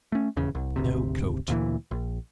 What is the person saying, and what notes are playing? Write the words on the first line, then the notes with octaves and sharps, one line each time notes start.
No coat!
A3 C#4
D#1 E2 C#3
C2
G#1 D2 C3
D2 A#2 E3
A#1